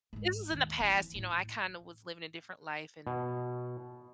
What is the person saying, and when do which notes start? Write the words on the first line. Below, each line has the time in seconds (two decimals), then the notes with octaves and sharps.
this was in the past, you know, I kinda was living a different life and
0.13 G#2 G#3
0.51 D#2
0.80 E3 C4
1.15 A2
3.07 B2